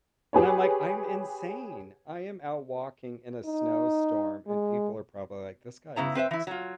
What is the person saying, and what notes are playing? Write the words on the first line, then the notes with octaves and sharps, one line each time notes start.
and I'm like, "I'm insane." I am out walking in a snowstorm, and people are probably like, "This guy is insane."
G4 G#4 B4 C#5
D#4
G#3
C#3 B3 E4 A#5
C4 B4 C5 E5
E3 E4
F#3 F4